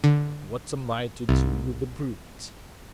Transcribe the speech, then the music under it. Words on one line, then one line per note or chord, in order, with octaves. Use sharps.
"But what am I to do with the brute?"
D3
C2